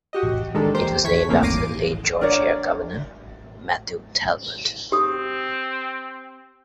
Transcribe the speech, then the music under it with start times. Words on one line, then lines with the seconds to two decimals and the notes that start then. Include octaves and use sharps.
It was named after the late Georgia governor Matthew Talbot.
0.13 F#4 G4 D#5
0.54 D#3 G#3 D4 D#4 G4 A4
0.75 A#3 G4 C5
1.04 E3 C#6 G#6 B6
1.29 C#3 E3 F3 A3 A#3 C4
1.42 G1 D#2 D6 A#6 C7 D#7
2.21 D4 A#4 C#5 D5
4.92 C4 G4 D#6